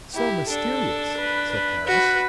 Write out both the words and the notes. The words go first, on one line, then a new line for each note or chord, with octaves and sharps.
"So mysterious!" said Harris.
E4 G4
D4 A4
B4
B4
F#4 B4